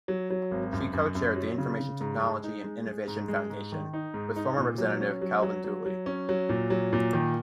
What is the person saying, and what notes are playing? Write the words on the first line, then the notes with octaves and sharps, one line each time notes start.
She co-chaired the Information Technology and Innovation Foundation with former Representative Calvin Dooley.
F#3
F#3
G#1
F#2
F#2
F#2
F#3
C#3
C#3
G#2
G#3
D#4
G#3
G#3
G#2
G#3
G#2
D#3
D#4
G#2
D#4
A#2
F#3
C#4
F#3
F#3
F#3
F#3
C#4
F#3
A#2
F#3
A#2
D#3